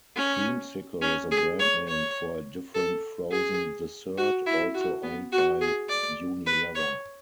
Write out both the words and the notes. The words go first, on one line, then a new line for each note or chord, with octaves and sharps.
Creamsicle is a brand name for a different frozen dessert also owned by Unilever.
C#4
C#4
G#4
C#5
C#5
A4
G#4
F#4
E4
F#4
B3
F#4
G#4
D5
B4
C#5